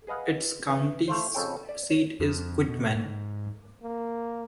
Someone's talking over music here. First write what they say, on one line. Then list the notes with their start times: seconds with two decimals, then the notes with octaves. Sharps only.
Its county seat is Quitman.
0.07 G#4 B4 D#5 F5 F#5
0.67 E3
1.08 A3 F4 C5
1.35 F2 C#3 A4 C#5 G5
1.69 D5
1.90 C#5
2.20 F2
2.69 B2
2.95 G#2
3.83 A#3